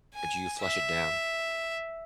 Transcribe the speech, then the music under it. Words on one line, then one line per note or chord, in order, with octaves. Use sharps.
or do you flush it down?
G#5
E5